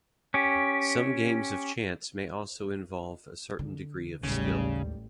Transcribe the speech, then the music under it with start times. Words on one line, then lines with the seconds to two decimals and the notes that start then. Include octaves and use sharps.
Some games of chance may also involve a certain degree of skill.
0.34 C#4 G4
3.59 D3
4.23 A1 D#2 C#3 G3 G#3